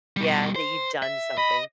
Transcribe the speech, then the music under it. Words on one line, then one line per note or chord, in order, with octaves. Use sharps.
Yeah, that you've done something.
B2 G3
C5
E5
D#5 B5